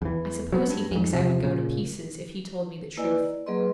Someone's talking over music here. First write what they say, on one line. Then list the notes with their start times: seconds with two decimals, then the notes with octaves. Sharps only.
I suppose he thinks I would go to pieces if he told me the truth.'
0.02 E2 E3
0.52 F#3 A#3 B3
0.69 G2
0.91 F2 G#2
1.13 E2 C3 F3
1.43 A#2 C#3
2.97 A#3 E4 B4 D5 D#5 G#5
3.15 D5
3.46 F#3 A#3 G#4 B4 D#5 C6